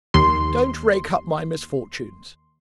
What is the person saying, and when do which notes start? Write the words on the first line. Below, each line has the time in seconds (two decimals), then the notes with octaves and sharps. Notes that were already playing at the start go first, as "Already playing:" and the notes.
"Don't rake up my misfortunes."
0.14 D#2 C6